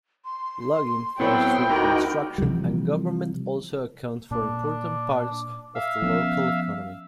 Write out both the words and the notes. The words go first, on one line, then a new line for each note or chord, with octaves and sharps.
Logging, forestry, construction and government also account for important parts of the local economy.
C6
A2 F#3 B3 C4 E4 G5 C6
D2 D#4 F#4 G4 A#4
C3 E3 F3 G3
A#2 D4
E5 F5 E6
F3 B3 C#4